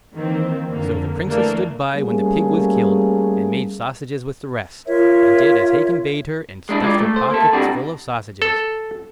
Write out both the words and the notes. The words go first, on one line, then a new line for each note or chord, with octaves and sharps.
So the Princess stood by when the pig was killed, and made sausages with the rest, and did as Hacon bade her, and stuffed her pockets full of sausages.
D#3 E3 A#3 C4
F2 D3 A#3
E3 A3 A#3 D4
G3 A3 A#3 C#4 G#4
F4 A#4 C#5 E5
G#3 D4 E4
G#3 F4 D5
A3
C5
A#3 A4
C3 G3 D4 F#4
A4